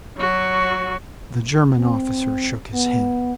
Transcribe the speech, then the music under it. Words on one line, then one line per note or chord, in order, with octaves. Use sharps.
The German officer shook his head.
F#3 F#4
C4
B3